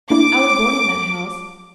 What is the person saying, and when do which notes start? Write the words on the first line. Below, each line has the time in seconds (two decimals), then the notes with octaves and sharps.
I was born in that house.
0.10 A#3 D4 E4 D6